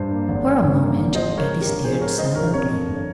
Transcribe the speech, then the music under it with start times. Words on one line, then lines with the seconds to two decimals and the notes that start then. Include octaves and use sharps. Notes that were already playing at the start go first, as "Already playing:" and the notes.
For a moment Patty stared silently.
Already playing: G2 C5
0.10 A#3
0.28 G#1
0.45 D#3
0.63 G2
0.80 A#3
0.98 G#1
1.15 F3 C5 D#5
1.33 G#2 A#4 C#5
1.49 C4
1.61 G4 A#4
1.67 A#1
1.84 F3 G#4 C5
2.01 G#2 A#4 C#5
2.18 C4 C5 D#5
2.35 A#1 A#4 C#5
2.53 C3 A#4 C#5
2.71 F2
2.88 G1